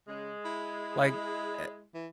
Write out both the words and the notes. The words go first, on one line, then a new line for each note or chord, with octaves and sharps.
like, a
C#3 G#3
E4
E3